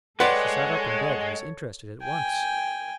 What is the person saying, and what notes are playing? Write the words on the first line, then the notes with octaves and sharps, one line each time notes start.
She sat up in bed, and was interested at once.
G#3 A4 B4 C#5 D5 F#5 G5 C6
G5 G#5